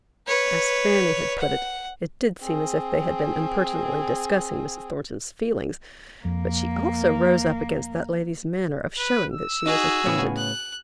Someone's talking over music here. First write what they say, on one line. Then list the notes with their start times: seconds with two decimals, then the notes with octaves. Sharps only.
As Fanny had put it, it did seem as if they had been impertinently discussing Mrs. Thornton's feelings; but she also rose up against that lady's manner of showing that she was offended.
0.27 B4 C#5
1.39 F#5
2.42 C4 G#4
6.25 F2 A#3
8.98 B4
9.32 E6
9.66 D#4 F#4 G#4
10.05 A2 C#3 B3
10.37 F#6